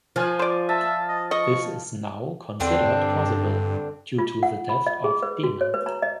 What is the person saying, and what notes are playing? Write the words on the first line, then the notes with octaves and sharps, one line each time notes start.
This is now considered possible due to the death of Demon.
F3 F4 G#5
C5 D5
E5 A5
D#5
D#5 C#6
E2 D3 C4 D4
G2
F4
F#5
B5
D#5
G#4
B4
F#4
C#5
B4
A#5
D#5